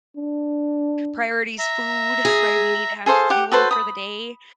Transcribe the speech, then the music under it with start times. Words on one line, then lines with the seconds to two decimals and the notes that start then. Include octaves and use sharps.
priorities, food, right? We need to have fuel for the day,
0.17 D4
1.59 E5 A#5
2.25 G#4
3.06 G#4 A4 C5 F5
3.30 G4 F#5
3.52 F#4 A4 B4 C5
3.71 B5 D#6